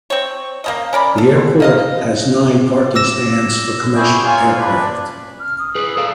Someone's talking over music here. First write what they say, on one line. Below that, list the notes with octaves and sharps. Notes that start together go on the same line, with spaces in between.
The airport has nine parking stands for commercial aircraft.
C4 C#5
A#3 C#4 D#5
C#4 A#4 D5 B5
A4
A#3 D#5 F5
D6 E6 A#6 E7
C4 E4 G#4 G5 C#6 D6
A#3 F4 C#5 F5 G#5
D4 B4
F6
D#6
G#4 B4
A4 D5 F5